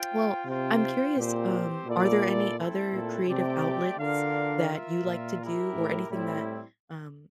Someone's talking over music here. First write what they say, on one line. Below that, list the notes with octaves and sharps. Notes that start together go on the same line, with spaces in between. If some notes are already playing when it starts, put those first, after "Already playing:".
Well, I'm curious, um, are there any other creative outlets that you like to do, or anything that, um,
Already playing: F4 C5 G5
C3 F4 C5 G5
A#2 C4 G4 C5
A#2 E4 A4 D5
A3 C4 E4 A4
A#2
C3 A3 C4 G4 D5 G5
D3 D4 F4 A#4 F5
F4 A#4 E5
A#2
E4 G4 A#4
A2
A2 G3 C4 E4